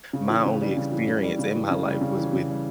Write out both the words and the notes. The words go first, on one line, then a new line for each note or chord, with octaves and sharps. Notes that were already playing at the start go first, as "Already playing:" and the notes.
my only experience, in my life, was with
C#3
E3
C#3
G3
C#3
E3
C#3
G3
C#3
E3
C#3
G3
C#3
E3
C#3
G3